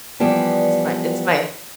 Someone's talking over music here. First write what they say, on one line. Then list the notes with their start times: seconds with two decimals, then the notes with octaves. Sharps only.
It's my it's my
0.20 E3 F3 G3 B3 G4 D5